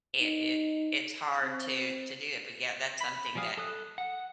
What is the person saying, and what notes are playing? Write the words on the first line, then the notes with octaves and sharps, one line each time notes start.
it it it's hard to to do it. But, yeah, that's something that
D#4
C4
B5
F3 G3 G#4 F5 D#6
A4 D#6 F#6
F#5